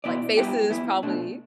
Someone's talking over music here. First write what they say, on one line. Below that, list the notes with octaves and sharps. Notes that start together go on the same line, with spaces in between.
like faces probably
B2 B3 E4 D5
G2 G3 B3 E4 G4
E2 E3 B3 E4
B2 A3 D4